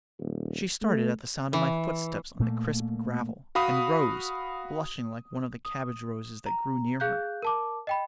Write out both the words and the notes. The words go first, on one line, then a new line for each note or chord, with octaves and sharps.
She started at the sound of my footsteps on the crisp gravel, and rose, blushing like one of the cabbage-roses that grew near her.
D#1
A3
E3
A#2 A3 A#3
F#4 F5 B5 D#6
D#6
A#5
G#4 F5 F#6 G6
A#4 A5 D6
D#5 G5 B5